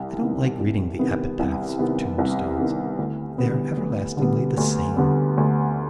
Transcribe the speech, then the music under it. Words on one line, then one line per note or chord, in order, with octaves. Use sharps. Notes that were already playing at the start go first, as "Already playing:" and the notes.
I don't like reading the epitaphs of tombstones: they are everlastingly the same.
Already playing: C2
C3 D#3 B3
C2
C3 D#3 B3
C2
C3 D#3 B3
C2
C3 D#3 B3
D2
D3 G3 B3
D2
D3 G3 B3
D2
D3 G3 B3
D2